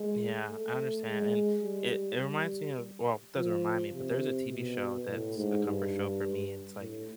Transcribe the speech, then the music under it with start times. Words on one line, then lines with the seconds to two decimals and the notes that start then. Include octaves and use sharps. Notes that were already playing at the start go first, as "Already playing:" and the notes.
Yeah, I understand, and it it reminds me of well, it doesn't remind me, but there's a TV show that's a comfort show for me, it's like,
Already playing: G#3
0.49 A3
1.06 G#3
1.63 G3
2.21 G3
3.35 F3
3.93 C3
4.51 B2
5.09 A2
5.37 G#2
5.66 G2
6.80 A2